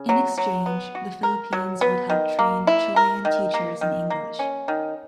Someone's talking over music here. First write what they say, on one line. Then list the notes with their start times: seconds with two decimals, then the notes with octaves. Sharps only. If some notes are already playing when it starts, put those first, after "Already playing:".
In exchange, the Philippines would help train Chilean teachers in English.
Already playing: C#3
0.09 F#3
0.38 F#3
0.66 B3
0.95 F#4
1.23 A#4
1.53 F#3
1.81 B3
2.10 D#3
2.39 A#3
2.67 E4
2.96 A#4
3.25 D#3
3.54 A#3
3.81 D#3
4.10 A#3
4.39 C#4
4.68 D#3